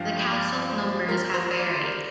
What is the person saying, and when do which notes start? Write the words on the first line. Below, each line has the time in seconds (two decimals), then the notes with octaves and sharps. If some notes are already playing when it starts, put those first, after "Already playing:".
The council's numbers have varied.
Already playing: G2 F3 D4 F5 G5
0.33 D5
0.70 C5
1.09 A#4
1.34 C5
1.59 D5
1.84 A#4